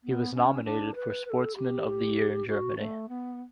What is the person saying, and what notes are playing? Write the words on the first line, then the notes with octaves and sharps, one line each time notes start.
He was nominated for Sportsman of the Year in Germany.
B3
C#4
D4
B4
B4
A4
G4
G4
F#4
A3
B3